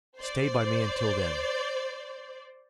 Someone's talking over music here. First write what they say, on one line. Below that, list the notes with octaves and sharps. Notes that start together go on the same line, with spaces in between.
Stay by me until then.
C5 D5